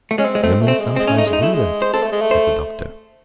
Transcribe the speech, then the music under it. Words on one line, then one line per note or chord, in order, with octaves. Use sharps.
"Women sometimes do that," said the Doctor.
A3
G#3 C#4
C4
G#3
A3 C4
A3
C4
G#3
G#3 C4
C#4
A3
D#4
G#3
D#4
A3 E4
G#3
C5
C4 A4
A3
G#3
A3
C5